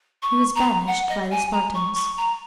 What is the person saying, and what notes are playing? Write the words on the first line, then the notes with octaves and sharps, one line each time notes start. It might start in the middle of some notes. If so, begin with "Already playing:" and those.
He was banished by the Spartans.
C#6
A#5
F#5
D#5
G#5
A#5
C#6
C#6
A#5